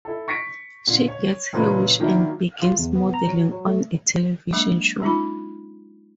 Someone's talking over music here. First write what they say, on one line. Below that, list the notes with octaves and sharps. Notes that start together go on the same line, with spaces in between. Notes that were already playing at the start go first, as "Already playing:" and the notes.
She gets her wish and begins modeling on a television show.
E4 A4
C#6 A#6 B6 C#7 D7
A#2 D3
C#5
F#1 A#2 E3 C#4 B4
D#3 F#3 A#3 D4 E4
F4
E2
B3
A#5
F#3
F#3
A3
F#3 G#3 A#3 D4
G#3 C#4 D#4 F4 B5